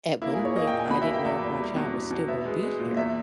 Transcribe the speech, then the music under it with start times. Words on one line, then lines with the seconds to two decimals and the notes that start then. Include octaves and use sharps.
At one point, I didn't know if my child was still gonna be here,
0.22 A#3 E4
0.33 G#4
0.39 A#2
0.45 C#5
0.56 A#3 D#5
0.67 G5
0.73 A#2
0.79 G#5
0.91 B2 B5
1.02 E5
1.08 A#3
1.14 G5
1.25 E2 E5
1.43 E2
1.59 G3
1.76 B2
1.94 B2
2.11 B2
2.28 B3 E5
2.45 G#3
2.63 G#3
2.79 A#2
2.97 E2 E5